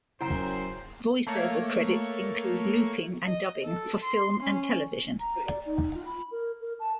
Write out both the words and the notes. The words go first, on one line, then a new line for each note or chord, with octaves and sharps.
Voice-over credits include looping and dubbing for film and television.
F#2 C#3 E4 C5 F#5 G5 A#5
A3 A#3 C#5
D#5
A4
C6
C#4
A#5
D5
D#4
F4
B5
A#4
A#4
A5